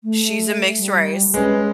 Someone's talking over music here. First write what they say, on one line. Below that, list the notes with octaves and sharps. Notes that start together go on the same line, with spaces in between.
she's a mixed race,
A3
G3
G#3 C#4 B4